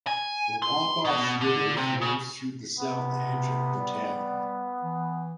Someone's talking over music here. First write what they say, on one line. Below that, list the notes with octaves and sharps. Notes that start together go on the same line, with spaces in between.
The Wabash River flows through the south edge of the town.
G#5
C6
B2
D3
C3
C#3
C3 B3
G3
E3